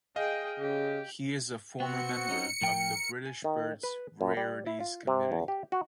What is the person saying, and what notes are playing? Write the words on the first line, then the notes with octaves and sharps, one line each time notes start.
He is a former member of the British Birds Rarities Committee.
G#4 D#5 F5 G5
C#3 G4
B3 C4 F#4 C#7
C#4 D#4
A2 F3 A#4 G5
G#5
D#3
B4
F#2
G3
E4
F4
C3
E2
G4
F#4